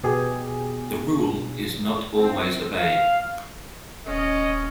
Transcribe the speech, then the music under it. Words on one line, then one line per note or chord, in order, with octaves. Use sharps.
The rule is not always obeyed.
B2 G4 G#4
C4
F5
D#1 C#4 D#5